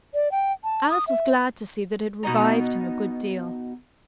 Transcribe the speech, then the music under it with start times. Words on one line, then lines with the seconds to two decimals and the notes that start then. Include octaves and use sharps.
Alice was glad to see that it revived him a good deal.
0.14 D5
0.32 G5
0.64 A5
0.90 D#6
1.07 E5
2.23 B2 B3 D#4 A#5